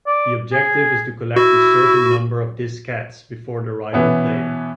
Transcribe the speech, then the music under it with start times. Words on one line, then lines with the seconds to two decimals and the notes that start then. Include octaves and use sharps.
The objective is to collect a certain number of diskettes before the rival player.
0.07 D5
0.53 G#4
1.36 E4 F#4
3.93 B2 E3 B3 C#4